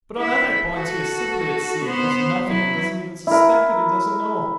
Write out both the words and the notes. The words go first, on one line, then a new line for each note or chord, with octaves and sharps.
But on other points he is simply at sea, knows nothing and doesn't even suspect that he doesn't know!
E4 E5
F#4 A4
B3 C5
F#3 E4
E4 A#4